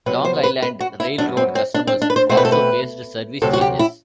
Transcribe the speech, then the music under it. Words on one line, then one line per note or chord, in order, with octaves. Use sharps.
Long Island Rail Road customers also faced service changes.
C3 F#3 B3 B4
C5
B4
B4
F#4
E4
F#2 F#3 B3 D4
C4
C4
D4
C4
D4
B4
C5
B2 A3 C4 C5
B4
A4
B4
D2 C3 F#3 A4
F#4
G4
E4